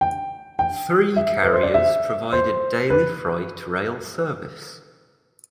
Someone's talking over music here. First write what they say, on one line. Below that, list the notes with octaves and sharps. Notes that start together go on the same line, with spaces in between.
Three carriers provide daily freight rail service.
G5
G5
E5
B4
C5
D5
E5
C5
B4